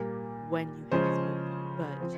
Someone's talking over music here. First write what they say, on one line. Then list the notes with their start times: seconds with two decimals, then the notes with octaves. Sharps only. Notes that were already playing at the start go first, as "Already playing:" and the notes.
when you have smoked, but
Already playing: A#2 G3 A#3
0.92 C#3 F3 G#3 C#4 C5
2.01 F3 C4